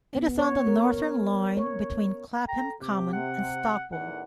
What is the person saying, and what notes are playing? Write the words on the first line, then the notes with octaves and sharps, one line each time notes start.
It is on the Northern line between Clapham Common and Stockwell.
B3
C#5
A#4
C#5
A4 G5 A#5
C3 G4
F#5
A1 E2 D#3 F#5